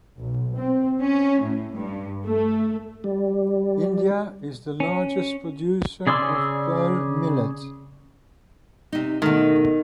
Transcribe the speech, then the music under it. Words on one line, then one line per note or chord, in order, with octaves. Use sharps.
India is the largest producer of pearl millet.
B1
C4
C#4
A2
G2
A3
G3
C#4
C#3 G#4 D5 C6 E6
C3 D#4
B2 D#3 A3 D#4